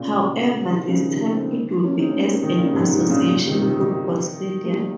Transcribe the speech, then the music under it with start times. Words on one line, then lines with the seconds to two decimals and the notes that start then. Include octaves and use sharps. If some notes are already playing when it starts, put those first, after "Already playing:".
However, this time it would be as an association football stadium.
Already playing: A#2 C#3
0.66 C3 D#3
0.80 G3
0.88 C#3 F3
1.10 D#3 G3
1.33 G#3 C4
1.84 A#3 C#4
1.99 C4 D#4
2.10 A#3 C#4
2.21 G#3 C4
2.33 G3 A#3
2.43 D#3 G3
2.58 A#2 C#3
2.73 G#2 C3
2.87 G#2 C3
3.09 A#2 C#3
3.32 A#2 C#3
3.46 C3 D#3
3.62 C3 D#3
3.76 D#3 G3
4.65 G3 A#3
4.79 A#3